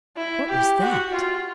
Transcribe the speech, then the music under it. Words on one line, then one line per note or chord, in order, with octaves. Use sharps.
What was that?
E4
G4
F#4
F4